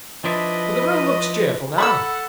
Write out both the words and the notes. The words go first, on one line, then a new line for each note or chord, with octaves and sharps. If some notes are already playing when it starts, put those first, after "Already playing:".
But the room looks cheerful now.
F3 D4 E4 B4 D#5
A4 F#5 B5 C#6 E6